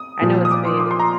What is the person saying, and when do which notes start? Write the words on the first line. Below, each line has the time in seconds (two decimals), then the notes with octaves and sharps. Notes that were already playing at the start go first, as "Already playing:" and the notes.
I know it's big.
Already playing: D#6
0.22 A#2 F3
0.45 D#6
0.51 D6
0.65 C6
0.80 D6
0.91 C6
0.99 A#5